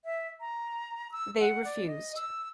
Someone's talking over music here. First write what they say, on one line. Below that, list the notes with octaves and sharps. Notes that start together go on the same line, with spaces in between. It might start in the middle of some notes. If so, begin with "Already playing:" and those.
They refused.
E5
A#5
E6
F#5
D5
D#5
E6